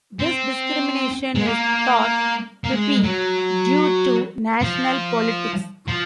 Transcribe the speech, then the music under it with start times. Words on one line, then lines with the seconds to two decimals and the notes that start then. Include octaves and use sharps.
This discrimination is thought to be due to national politics.
0.19 C4
1.35 G#3
1.46 A#3
2.64 A#3
2.72 G#3
3.04 F#3
4.62 F3
5.88 F3